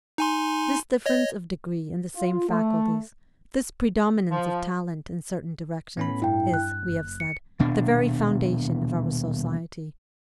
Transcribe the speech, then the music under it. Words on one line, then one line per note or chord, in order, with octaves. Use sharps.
This difference of degree in the same faculties, this predominance of talent in certain directions, is, we have said, the very foundation of our society.
D#4 G#5 C6
C#5 D#5
F4
A3
F3
A2 B3 C#4 B5
G2 E4 G5
F#6
F#1
C#7
D#1 B2 D4